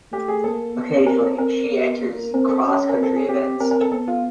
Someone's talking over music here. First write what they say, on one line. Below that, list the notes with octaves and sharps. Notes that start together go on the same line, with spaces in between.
Occasionally, she enters cross country events.
A3 G4
G#4
A#3 A4
B3
C4 A#4
A4
C4 A#4
B3
A#3
C4 A#4
A4
C#4
A#4
C4
A4
G#4
C4 G4
C4 A#4
A#4
A4
B3 A4
F4